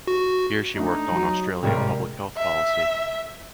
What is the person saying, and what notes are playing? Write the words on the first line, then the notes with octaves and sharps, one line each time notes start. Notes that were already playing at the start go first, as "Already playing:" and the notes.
Here she worked on Australian public health policy.
F#4
A3 D4 D#4
F#3 F#4
A1 G#2 C3 G3 A#4
E5